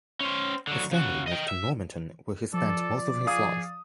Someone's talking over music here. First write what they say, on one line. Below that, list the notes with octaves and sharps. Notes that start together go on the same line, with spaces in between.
His family moved to Normanton where he spent most of his life.
C#4 C5
D3 F#3
C#3 F#4
D#5 G5
E5
F3 A4 D5
G#4 F5 D#6